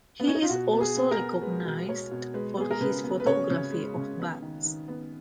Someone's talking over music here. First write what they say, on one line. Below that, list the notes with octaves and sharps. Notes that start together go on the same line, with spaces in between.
He is also recognized for his photography of bats.
B3
C#4
D#4
F4
B2 F#4
B3
G#4
B3
A#4
B3
G#3 B4
B2
B2 C#5
B2
G#3 B4
B3 G#4
A#4
C#3 B4
B3
B4
C#3 C#5
C#3
G#3
C#3
B3
D#3
D#3
B3